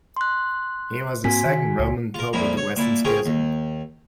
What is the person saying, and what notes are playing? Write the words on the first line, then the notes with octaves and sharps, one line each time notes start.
He was the second Roman Pope of the Western Schism.
C6 F#6
G#2 A#3 C4 F#4 G#5 B6
D#3
C#2
F4 A#4
F2 A#2 D4 E4 A#5
C#5
A#2 E4 A5
C4 C#4 F4 G#4 A#4
D#2